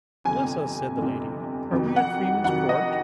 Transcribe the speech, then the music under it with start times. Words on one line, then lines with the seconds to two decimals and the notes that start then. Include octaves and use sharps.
'Bless us!' said the lady.'Are we at Freeman's Court?'
0.25 G1 F2 C3 G#5
0.98 G1 F2 C3
1.71 F2 C3 D#3 F#3
1.96 F#5
2.44 F2 C3 D#3 F#3 F#5
2.69 D#5